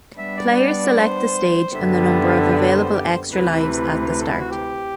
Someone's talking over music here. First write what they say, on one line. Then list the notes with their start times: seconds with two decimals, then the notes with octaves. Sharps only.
Players select the stage and the number of available extra lives at the start.
0.18 G3 B3 D4 E5
0.37 D5
0.96 C5
1.74 F#2 D3 G3 B3 E5
2.53 D5
2.73 C5
2.93 G4
3.06 C5
3.32 D2 C3 E3 B4
4.11 B4
4.20 A4
4.30 E4
4.39 F#4
4.50 G4